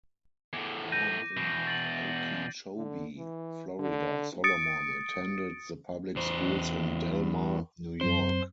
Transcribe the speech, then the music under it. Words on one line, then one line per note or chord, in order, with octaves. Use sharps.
Born in Okeechobee, Florida, Solomon attended the public schools in Delmar, New York.
E2 A2 D6
G6 A#6 D#7
E2 B2 C7 D7 D#7
A6 F#7
D3
E3
D3
D#6 A6 C#7 D7
E2 C5
F#2 F#3 C4 C5